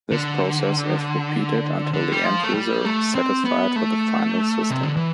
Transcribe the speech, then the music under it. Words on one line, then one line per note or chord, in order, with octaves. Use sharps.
This process is repeated until the end-user is satisfied with the final system.
D3
D3
G3
F3
A3
G3
A3
C4
B3
A3
C3
D3
E3